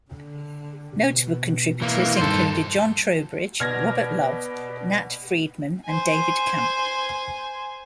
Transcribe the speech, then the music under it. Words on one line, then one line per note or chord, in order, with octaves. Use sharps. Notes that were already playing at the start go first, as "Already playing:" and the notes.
Notable contributors included Jon Trowbridge, Robert Love, Nat Friedman and David Camp.
D3
B2
E3 A#3
G2 D#3 A4 C5
B2 B4 D5 F6 G#6 A#6
C5 G#5